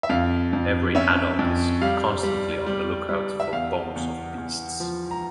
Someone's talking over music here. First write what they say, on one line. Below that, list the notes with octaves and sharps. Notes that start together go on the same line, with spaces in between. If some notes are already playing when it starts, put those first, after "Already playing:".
Every adult is constantly on the lookout for bones of beasts.
E5
F2 F5
F2
C#4 E5
F2
G3 F5
G3
G3
G3
E5
E2 F5
E2
E2
F3
A#5